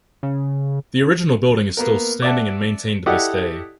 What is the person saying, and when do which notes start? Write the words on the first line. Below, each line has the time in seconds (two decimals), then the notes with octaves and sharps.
The original building is still standing and maintained to this day.
0.23 C#3
1.77 A#3 B3 A#4
2.22 D5 E5 F#5 A5
3.06 E4 G4 A4 D5 D#5 F#5